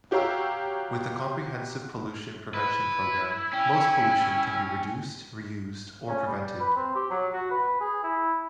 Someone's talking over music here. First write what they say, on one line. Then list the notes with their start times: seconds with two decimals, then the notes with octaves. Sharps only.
With a comprehensive pollution prevention program, most pollution can be reduced, reused, or prevented.
0.11 F#4 G4 C#5 F5 A#5 E6
2.54 E4 B4
3.53 C#4 G5
6.07 C#4
6.27 G3
6.60 B4
6.76 C4
6.95 G4
7.10 F#3
7.33 F#4
7.51 B4
7.81 G#4
8.03 E4